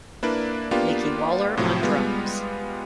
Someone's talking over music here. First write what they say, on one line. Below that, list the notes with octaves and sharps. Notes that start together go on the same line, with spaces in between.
Micky Waller on drums.
A#3 D4 E4 B4 D5
A#3 B3 D4 F4 G4
A2 C3 F3 F#3
G3 G#3 B3 F4